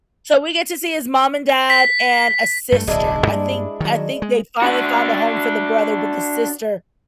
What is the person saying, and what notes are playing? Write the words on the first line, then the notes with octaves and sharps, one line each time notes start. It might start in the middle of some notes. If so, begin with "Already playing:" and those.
so we get to see his mom and dad and a sister. I think I think they finally found a home for the brother, but the sister,
B6
G2 A3
D1 B1 G#3 D4 E4
G2 G3 A#3
D#3 F#3
G#3
D4 F#4